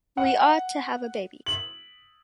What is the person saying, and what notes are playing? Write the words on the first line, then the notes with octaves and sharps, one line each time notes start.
We ought to have a baby.
F#5
F#7